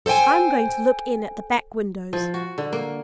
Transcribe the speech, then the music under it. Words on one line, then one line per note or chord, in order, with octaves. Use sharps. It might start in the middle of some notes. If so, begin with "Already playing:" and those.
I'm going to look in at the back windows.
A4 C5 D#5 G5 G#5
F3
F#4
D3
A#3